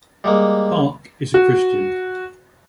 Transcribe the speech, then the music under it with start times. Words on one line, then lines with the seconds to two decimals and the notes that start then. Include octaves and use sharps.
Park is a Christian.
0.24 G3 G#3 A#3
1.34 F#4